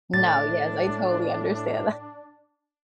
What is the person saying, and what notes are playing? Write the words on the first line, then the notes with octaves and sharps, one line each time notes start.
No, yes, I totally understand that.
A2 D4 A6